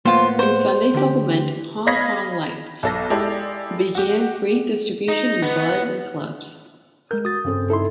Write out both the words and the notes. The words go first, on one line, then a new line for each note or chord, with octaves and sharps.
Its Sunday supplement, Hong Kong Life, began free distribution in bars and clubs.
A2 A#3 B3 F4 C5
C5
D2 G4
D#5 F5 B5 G#6 A#6 B6
B1 A4 A#6
G#3 E4 G4 A4 D5
F#4 G4
D#4
B3
G#3 A#4 G6
F#4 D#6 A6
G2 C#3 C4 A4
D#4 E4 A4 C6